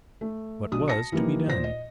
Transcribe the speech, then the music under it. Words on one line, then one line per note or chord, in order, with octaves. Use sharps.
What was to be done?
A3
B1 D4 D#6
A5 A#6 C#7
E3 F3 G3 A#3 D#4
A#2 C5 A#6
D#5